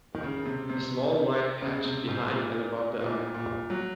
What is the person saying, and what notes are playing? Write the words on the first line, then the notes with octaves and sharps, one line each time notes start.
A small white patch behind and above the eye.
D#3
C#3
C3
C3
C#3
C3
G#2
A#2
A#2
A#2
F#3